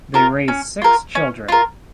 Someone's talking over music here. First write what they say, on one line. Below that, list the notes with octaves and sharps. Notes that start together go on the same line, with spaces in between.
They raised six children.
F4 A#4
C#4
F4 A#4
C#4
F4 A#4